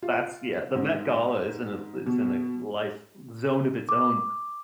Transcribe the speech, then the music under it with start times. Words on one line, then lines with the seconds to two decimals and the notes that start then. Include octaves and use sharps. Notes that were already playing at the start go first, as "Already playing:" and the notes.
that's yeah. The Met Gala is in a is in a life zone of its own.
0.02 F4
0.75 G#2
2.06 B2
3.89 D6